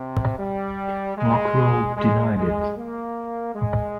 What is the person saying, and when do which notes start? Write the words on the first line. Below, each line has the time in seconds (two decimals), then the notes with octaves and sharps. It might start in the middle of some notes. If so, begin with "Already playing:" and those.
Rockwell denied it.
Already playing: C3
0.38 G3
1.17 G#3
1.97 G#3
2.36 G#3
2.76 A#3
3.55 G#3